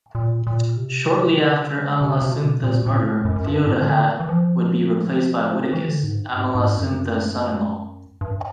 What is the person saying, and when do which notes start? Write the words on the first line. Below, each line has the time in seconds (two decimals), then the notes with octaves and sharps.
Shortly after Amalasuntha's murder, Theodahad would be replaced by Witigis, Amalasuntha's son-in-law.
0.15 A#2
0.47 A#2
0.77 C3
2.01 C3
2.22 C3
2.32 B2
2.64 A#2
2.86 A#2
2.94 A2
3.25 F#2
3.36 F#2
3.46 G2
3.66 A2
3.82 D#3
3.87 D3
4.08 D#3
4.20 E3
4.29 F3
5.73 E3
5.88 D3
6.03 G#2
6.19 G2
6.35 G#2
6.55 G#2
6.76 F#2
8.21 G2